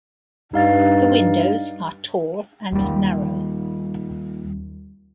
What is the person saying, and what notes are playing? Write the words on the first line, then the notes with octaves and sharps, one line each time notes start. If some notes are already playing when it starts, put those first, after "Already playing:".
The windows are tall and narrow.
G2 D#4 F5 A6
D#2 G3